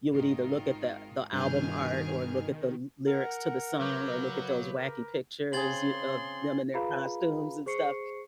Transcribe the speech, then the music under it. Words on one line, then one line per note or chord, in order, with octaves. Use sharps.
you would either look at the the album art, or look at the l lyrics to the song, or look at those wacky pictures you of them in their costumes and stuff.
G#1 D#3 F4
G2 B2 D#3 G#4 F6 G6
A#4 F#5
C#3 F#3 B4 D6 G6
A#4
C#3 C4 G#4 C6 G#6 A6 F#7
F4 G#4 B4 F5 A#5 B5
G#4 C5 C#6 C7 C#7